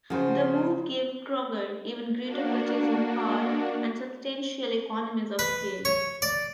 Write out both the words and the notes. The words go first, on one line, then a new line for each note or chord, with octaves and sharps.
The move gave Kroger even greater purchasing power and substantial economies of scale.
C#3 F3 F#4 C5
A#3 D4 F#4
B4
C#5
D5